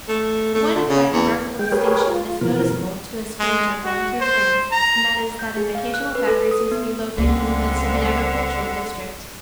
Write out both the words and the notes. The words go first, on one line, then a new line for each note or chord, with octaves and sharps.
One quite remarkable distinction is noticeable to a stranger going through France and that is that an occasional factory seems to be located in the midst of an agricultural district.
A3
A3
D3
C#3
E2
G#3 G5
G4 G#4 A#4 B4 C#5
F4
B2 E3 F3 A#4
G#3
F#4
C5
A#5
G6
G#4
F5
F#6
B4
A4
D#6
B3
C#2 D3 G3 G#3 A#3 C4